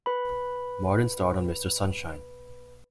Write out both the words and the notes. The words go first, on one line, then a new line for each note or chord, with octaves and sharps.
Martin starred on "Mr. Sunshine".
B4 B5